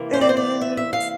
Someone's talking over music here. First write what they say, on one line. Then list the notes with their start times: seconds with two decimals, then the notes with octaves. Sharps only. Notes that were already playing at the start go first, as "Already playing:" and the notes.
It is.
Already playing: C3 E3 A#3
0.14 C5
0.21 D5
0.29 C5
0.37 D5
0.61 E5
0.77 E5
0.93 F5